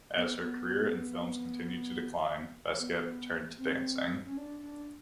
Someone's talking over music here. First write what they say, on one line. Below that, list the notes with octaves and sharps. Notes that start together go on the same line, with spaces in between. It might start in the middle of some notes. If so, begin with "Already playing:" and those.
As her career in films continued to decline, Basquette returned to dancing.
B3
B3
B3
C4
C#4
D4
D4